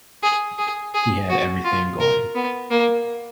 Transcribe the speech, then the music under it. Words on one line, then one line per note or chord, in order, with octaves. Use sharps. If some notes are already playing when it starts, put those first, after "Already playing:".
He had everything going.
G#4
G#4
G#4
F#4
F4
A#4
B3
A#3